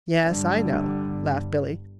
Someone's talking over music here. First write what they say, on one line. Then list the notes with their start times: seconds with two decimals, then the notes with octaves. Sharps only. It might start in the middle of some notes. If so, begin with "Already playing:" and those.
"Yes, I know," laughed Billy.
0.24 G1 G2 D3 G3
1.05 G1 G2